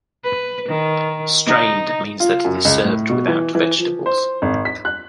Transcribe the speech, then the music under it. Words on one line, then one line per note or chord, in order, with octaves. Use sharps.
"Strained" means that it is served without vegetables.
B4
D#3
D#4
F4
F#2
C#2
A2
B2
E3
E3
F3
C5
G#1
B6
F#6